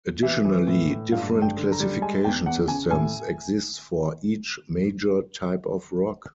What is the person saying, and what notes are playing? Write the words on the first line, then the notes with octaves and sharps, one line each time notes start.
Additionally, different classification systems exist for each major type of rock.
E3 E5
E3
A2
A2
G2 F5
G2
G5
D3
A#5
G3
G#3 G#5
E2 G5
E2 F#5
C#3 G#5
A2 G#5